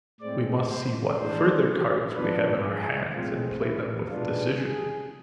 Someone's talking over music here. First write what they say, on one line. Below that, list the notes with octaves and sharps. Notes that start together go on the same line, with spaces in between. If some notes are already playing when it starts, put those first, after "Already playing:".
We must see what further cards we have in our hands and play them with decision.
A2 G#3 C4 D5
C5
A2 E3 G#3 D4 C5
G#2 F3 B3 D4 B4
G#4
A2 G#3 C4 F4
E4
B2 G#3 B3 D4 F4
G#4